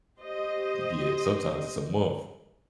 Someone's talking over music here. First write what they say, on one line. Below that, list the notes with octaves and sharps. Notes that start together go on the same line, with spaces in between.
Yeah, sometimes it's a month.
G4 C5 D#5